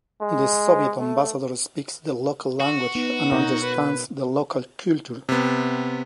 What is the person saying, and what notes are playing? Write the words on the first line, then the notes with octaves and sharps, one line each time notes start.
The Soviet ambassador speaks the local language and understands the local culture.
G#3
A3
F#4
B3 D#4
B2 D#4 A#4 C#5
B4
C3 B3